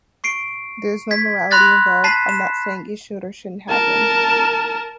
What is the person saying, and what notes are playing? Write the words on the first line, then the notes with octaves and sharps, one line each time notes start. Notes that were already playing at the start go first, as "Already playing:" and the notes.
There's no morality involved, I'm not saying it should or shouldn't happen.
C#6 C7 D7
G#6 B6
B5 C6 F#6 A6 A#6
A5 A6 B6 C7 E7
E7
A#4 A5